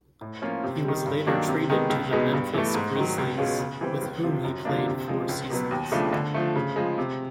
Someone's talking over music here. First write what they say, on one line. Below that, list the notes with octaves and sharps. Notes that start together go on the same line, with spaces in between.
He was later traded to the Memphis Grizzlies, with whom he played four seasons.
A2
F3 A#3 C#4 F4
C3
D#3 G3
G2
D#3 F#3 A#3 D4
C3
D#3 G#3 B3
C#2
B2 G#3 B3 D#4
G2
E3 A3
G#2
D#3 F#3
C#2
B2 G#3 C#4 F4
C#3
E3 G3 C4
C#2
C3 F3
F#2
D3 F3 A#3 D4
C3
F3 G#3
C#2
B2 F#3 B3
D#2
C#3 F3 A3 D4
D3
F3 A3
C#3
F3 G#3
C3